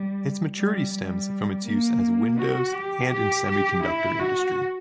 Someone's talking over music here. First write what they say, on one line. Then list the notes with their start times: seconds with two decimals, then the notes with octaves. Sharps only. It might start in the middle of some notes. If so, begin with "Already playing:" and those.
Its maturity stems from its use as windows and in semiconductor industry.
Already playing: G3
0.57 G3
0.94 G3
1.66 A#3
2.39 F#4
2.74 G4
3.10 G4
3.47 G4
3.83 E4
4.19 F#4